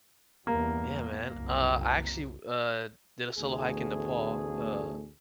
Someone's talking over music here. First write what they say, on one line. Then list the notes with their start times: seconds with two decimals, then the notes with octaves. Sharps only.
Yeah man, uh, I actually, w uh, did a solo hike in Nepal, uh
0.47 E2 G2 G3 A#3
1.29 F#1 C2
3.37 A1 D2 A3 B3 G#4